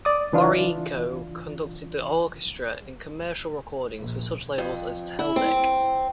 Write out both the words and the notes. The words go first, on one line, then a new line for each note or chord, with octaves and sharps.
Boreyko conducted the orchestra in commercial recordings for such labels as Teldec.
D5 D6 D#6
C#2 E3 D4 F4
A#1
F2
E4
C4